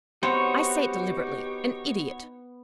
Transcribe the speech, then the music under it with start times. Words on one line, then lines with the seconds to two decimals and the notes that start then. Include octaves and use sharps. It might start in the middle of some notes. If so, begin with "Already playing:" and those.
I say it deliberately--an idiot!
0.23 B3 C4 D#4 F#4 G4 C#5